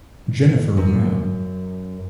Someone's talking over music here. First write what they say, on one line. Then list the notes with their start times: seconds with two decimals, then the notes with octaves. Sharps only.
Jennifer Brown.
0.77 F#2